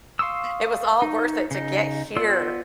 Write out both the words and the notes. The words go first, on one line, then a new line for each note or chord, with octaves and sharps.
It was all worth it to get here.
F5 C6 C#6 D#6 E6
D#4
C#3 D#4
B3 F4 D5 C6 E6